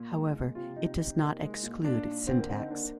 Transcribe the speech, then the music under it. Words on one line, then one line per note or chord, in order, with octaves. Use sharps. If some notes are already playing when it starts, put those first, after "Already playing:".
However, it does not exclude syntax.
Already playing: A#2
G#3
A#2
C3 F4
C3 D#4
C3 D#4
A#3
G#3
A#2
A#2 D4
A#2
D3 C4
A#3
D3 C4
D#4
A#3 D4